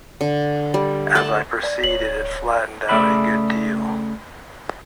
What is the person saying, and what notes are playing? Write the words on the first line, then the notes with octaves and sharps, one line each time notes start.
As I proceeded it flattened out a good deal.
D3
G3
A3 D5 F#5 A5
D5
D1 C#5 F#7
C#3 A3 G#4 D5 E5 B5